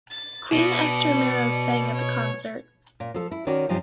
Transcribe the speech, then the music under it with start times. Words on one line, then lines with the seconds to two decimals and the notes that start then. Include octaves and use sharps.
Queen Esther Marrow sang at the concert.
0.10 A6
0.53 B2 D5 C#7
1.94 C#5
3.00 A#2
3.14 F3 A4
3.32 E4
3.47 D#3 C#4 F#4 D5
3.69 F#2 C3 F3 G3 D#4 G#5